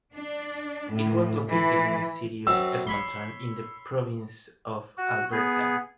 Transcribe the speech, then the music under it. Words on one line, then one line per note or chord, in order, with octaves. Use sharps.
It was located in the city of Edmonton in the province of Alberta.
D4
A2
E3
F#2 F#3 C4 E6
C#5 B5 C6
F#4
B3 G#4